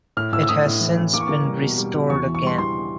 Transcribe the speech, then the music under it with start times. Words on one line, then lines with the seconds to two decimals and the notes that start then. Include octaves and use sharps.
It has since been restored again.
0.17 A2 F6
0.32 A2 E6
0.43 E6
0.49 A2 D#6
0.65 A2
0.81 E3
0.97 E3
1.13 A#3 D6
1.21 C#6
1.28 A#3 D6
1.45 G3
1.62 B2
1.78 G3
1.94 B2
2.10 E2 C#6
2.27 E3
2.35 C#6
2.42 G3 C6
2.58 E3 C6